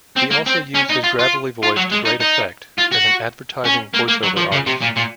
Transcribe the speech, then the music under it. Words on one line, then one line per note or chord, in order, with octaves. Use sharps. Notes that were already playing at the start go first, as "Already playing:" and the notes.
He also used his gravelly voice to great effect as an advertising voice-over artist.
C4
A#3
C4
C#4
D#4
F4
F4
F4
F#3
G#3
D#4
D#4
F4
F#4
C#4
A#3
A#3
F#3
F3
C#3
C3
A#2
A#2